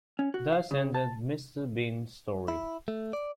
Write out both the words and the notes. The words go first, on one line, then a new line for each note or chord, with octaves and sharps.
Thus ended Mrs. Dean’s story.
C#4
F#4
F5
C#3
A5
E4
A3
D5